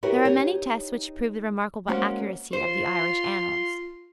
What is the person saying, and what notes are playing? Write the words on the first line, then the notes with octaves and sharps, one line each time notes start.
There are many tests which prove the remarkable accuracy of the Irish Annals.
E4 F#4 G4 A#4 B4 C#5
D#4 G4 C#5
G#3 A#3 C#4 F#4 C5
F4 C5 C6